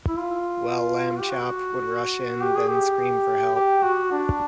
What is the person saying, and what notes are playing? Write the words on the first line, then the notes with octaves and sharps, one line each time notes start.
Well, Lamb Chop would rush in, then scream for help.
E4
F4
G4
F#4
G4
G#4
G4
G4
F#4
D4